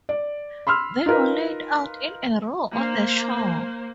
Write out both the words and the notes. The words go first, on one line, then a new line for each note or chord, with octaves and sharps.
They were laid out in a row on the shore.
D5
B5 C6 E6 F6
D#4 F4 A#4 B4
A#3 C5